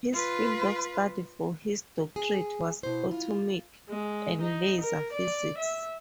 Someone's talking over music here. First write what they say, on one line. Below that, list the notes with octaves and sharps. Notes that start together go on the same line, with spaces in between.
His field of study for his doctorate was atomic and laser physics.
F4 B4
G#4
B2 E4 C5
F4
G#3
D#4
A#4
D5
E5